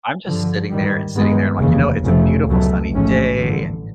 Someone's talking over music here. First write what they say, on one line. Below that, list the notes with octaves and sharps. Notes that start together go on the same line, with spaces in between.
I'm just sitting there and sitting there and like, you know, it's a beautiful sunny day, and
G2 D3 F3
G#2 D#3 G3
G2 D#3 G#3 B3
F1 D#2 C#3 E3
F1 F2 C#3 F3 A3
C#2 B2 F#3 A3
A1 G#2 F3 A3 C#4
A1 G2 D3